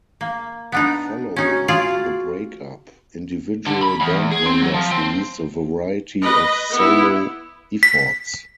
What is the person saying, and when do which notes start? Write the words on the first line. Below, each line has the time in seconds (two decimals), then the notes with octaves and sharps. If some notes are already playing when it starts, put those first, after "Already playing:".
Following the breakup, individual band members released a variety of solo efforts.
0.21 A#3
0.72 B3 D4 D#4
1.36 C#4 D#4 F#4
1.68 F4 G#4 D5
3.67 D3
3.83 B5
4.01 E2
4.32 G#4
4.46 C4
4.62 F#3
4.74 F3
4.91 C4
6.21 B4 D#5
6.71 B3 E4
7.83 B6